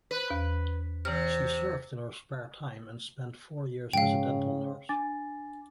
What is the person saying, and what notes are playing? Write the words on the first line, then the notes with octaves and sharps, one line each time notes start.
She surfed in her spare time, and spent four years as a dental nurse.
B4
E2 B5
C3 E3 F6
G#2 C#3 F3 G#3 F5 G5
D4 G#5 D6 A6